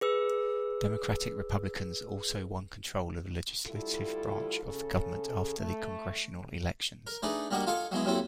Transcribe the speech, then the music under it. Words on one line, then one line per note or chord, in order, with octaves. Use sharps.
Democratic-Republicans also won control of the legislative branch of government after the congressional elections.
G#4 B4 E6
D2 G3 E4 F4 A4
C#3 A4
A3
A#4
A3 D4 D#4 G#4 B4
G3 A#3 D4 F#4 D#5
F4 A4 D#5 F5 G#5 C#6
F#3 G#3 B3 E4
D#2 F#3 C4 E4 A4